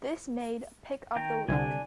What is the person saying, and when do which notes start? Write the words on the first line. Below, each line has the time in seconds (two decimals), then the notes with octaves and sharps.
This made pick of the week.
1.16 D#3 G5 A#5
1.48 C2 D3 D4 G#5